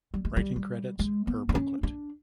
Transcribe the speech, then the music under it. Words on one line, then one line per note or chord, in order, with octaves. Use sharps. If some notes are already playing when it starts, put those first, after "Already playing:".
Writing credits per booklet.
G3
G#3
G3
G3
G#3
B3
D4
C#4
D4